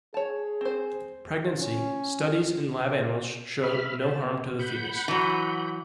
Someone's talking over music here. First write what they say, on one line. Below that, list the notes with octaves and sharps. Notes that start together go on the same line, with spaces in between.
Pregnancy: Studies in lab animals showed no harm to the fetus.
G#4 C#5 A5
C4 C5
C#4
E5 B5 F6
C5 A5
B3
F#5 B5 G6
E3 F#3